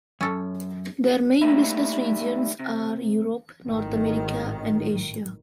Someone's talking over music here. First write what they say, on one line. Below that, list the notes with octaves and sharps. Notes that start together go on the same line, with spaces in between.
Their main business regions are Europe, North America and Asia.
F#2 C#4 A4
G3 A3 A#3 D#4 E4
C3
G#1 A2 D#3